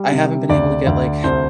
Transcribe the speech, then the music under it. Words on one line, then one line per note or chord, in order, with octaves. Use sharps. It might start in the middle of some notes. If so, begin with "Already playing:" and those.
I haven't been able to get, like,
Already playing: G3
C3
D2 D5
D2
C2 C5